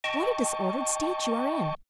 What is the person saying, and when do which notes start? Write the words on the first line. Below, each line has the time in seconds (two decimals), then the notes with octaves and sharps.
What a disordered state you are in!
0.04 D#5 G5 A5 C#6